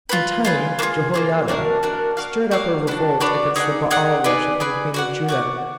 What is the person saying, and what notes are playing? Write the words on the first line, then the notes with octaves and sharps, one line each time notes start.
In time Jehoiada stirred up a revolt against the Baal-worshipping queen of Judah.
F4 G#4 B4
F4 G#4 B4
A#3 D4
F4 G#4
A#3 D4 F4 G#4
A#3 D4 F#4 A#4
A#3 D4 F#4 A#4
F#4 A#4 D5 F5
F#4 A#4 D5 F5
D4 F#4 B4 D5
D4 F#4 B4 D5
D#4 G#4 D5 F#5
D#4 G#4 D5 F#5
D#4 G#4 B4 D5
D#4 G#4 B4 D5
F#4 D5 F#5
F#4 D5 F#5